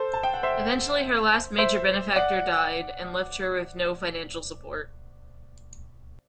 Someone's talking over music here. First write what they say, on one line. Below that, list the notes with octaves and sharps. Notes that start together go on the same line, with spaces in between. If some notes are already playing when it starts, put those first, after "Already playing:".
Eventually, her last major benefactor died and left her with no financial support.
Already playing: A4 C5
A5
G5
F#5
C5 E5
C5 E5
D5 F#5